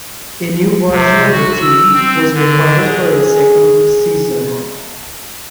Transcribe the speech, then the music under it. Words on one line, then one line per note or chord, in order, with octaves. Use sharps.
A new version of the theme was recorded for the second season.
C3
F#4
E6
C4
D3
G#3 G#4